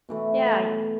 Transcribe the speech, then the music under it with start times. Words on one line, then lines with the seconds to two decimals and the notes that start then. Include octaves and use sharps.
Yeah, y
0.09 B2 E3 A3